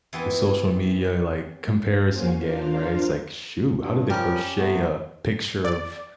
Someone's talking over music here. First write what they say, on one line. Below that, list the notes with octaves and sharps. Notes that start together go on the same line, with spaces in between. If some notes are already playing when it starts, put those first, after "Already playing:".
The social media, like, comparison game, right, it's like, "Shoot, how did they crochet a picture of
E2 E3 C4 B4 G#5
A#3 C#4 F#4 C5 F5 G#5
D4 F4 A#4 C5 F5
G2
F3 G3 C#4 G4 A#4
C3 A3 B3
D5